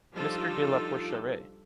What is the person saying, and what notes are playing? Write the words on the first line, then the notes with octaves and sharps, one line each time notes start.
Mister de la Porcheraie.
F3 G3 D4 D#4 F4 A4